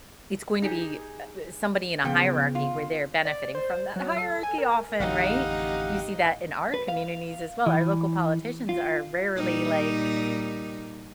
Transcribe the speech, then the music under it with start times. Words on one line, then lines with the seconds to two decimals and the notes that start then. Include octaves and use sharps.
it's going to be, uh, somebody in a hierarchy where they're benefiting from that hierarchy often, right? You see that in our communities as well. Our local politicians are rarely like
0.62 D#4 G4 G#4
2.04 A#2 C#3 F3 B3 G5
2.55 F4
3.25 D5
3.55 C5
3.96 F#3
4.16 A4
4.43 G#5
4.58 A#4
5.00 A1 F2 D3 D#4 G4 F5 F#5
6.74 B4
6.88 F5
7.66 E3
8.69 F4
9.36 A#2 G3 D#4